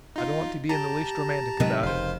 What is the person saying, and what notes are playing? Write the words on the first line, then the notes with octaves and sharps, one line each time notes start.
I don't want to be in the least romantic about it.
D#4 F4
G4 A5 A#5
C3 D#3 F#3 G#3 B4
F1 G#2 C#3 C5 F5